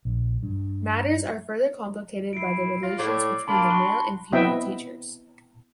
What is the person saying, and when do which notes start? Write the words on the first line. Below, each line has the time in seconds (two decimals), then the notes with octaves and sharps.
Matters are further complicated by the relations between the male and female teachers.
0.05 A#1
0.43 G2
2.33 E4 C7 D7
2.83 F4 A#6
2.99 A2 D5
3.48 A#3 D4 A5 B5 C6
3.70 F#4 G7
4.33 B3 C4 E4 D#5 E5 G5